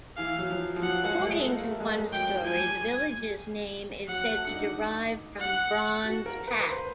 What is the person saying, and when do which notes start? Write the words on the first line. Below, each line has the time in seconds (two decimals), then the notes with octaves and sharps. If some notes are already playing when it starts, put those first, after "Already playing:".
According to one story, the village's name is said to derive from "Brawn's Path".
0.17 E3 F5
0.38 F#3
0.50 F3
0.76 F3
0.82 F#3 F#5
1.04 G#3
1.18 G#3
1.26 A3
1.48 A#3
1.64 A3
1.80 G#3
1.97 G#3
2.12 F#3 G5
2.34 F3
2.45 G#5
2.56 G3
4.08 F#3 F#5
4.30 A3
4.47 D4
4.53 D#4
5.40 F#5
6.04 F#4
6.26 A#4
6.48 B4
6.60 B4
6.70 C5